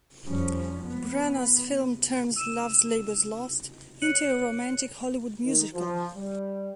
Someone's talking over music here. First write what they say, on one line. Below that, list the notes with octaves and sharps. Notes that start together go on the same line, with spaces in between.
Branagh's film turns "Love's Labour's Lost" into a romantic Hollywood musical.
F#1 F2 F3 G3 C#4
B3
E6 D#7 E7
C#5 F#6 C#7 D#7 F#7
D#3
F3
G3